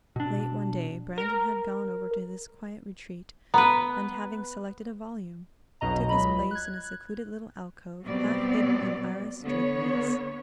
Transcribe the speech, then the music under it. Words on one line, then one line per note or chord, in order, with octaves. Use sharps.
Late one day Brandon had gone over to this quiet retreat, and having selected a volume, took his place in a secluded little alcove half hidden in arras draperies.
B2 D4
A#4
B3 B4 A#5
B1 F2 B2 D#5 A#5
C#2 F#3 D#5 B5
F#6 G#6
B2 F#3 G3 B3 C4 D5
D3 B3 C#5